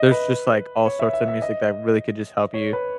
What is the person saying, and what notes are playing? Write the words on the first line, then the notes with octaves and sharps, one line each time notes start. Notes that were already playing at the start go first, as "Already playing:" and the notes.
There's just, like, all sorts of music that really could just help you,
Already playing: D#5 E5
B4
C#5
E5
E5
E5
D#5
C#5
B4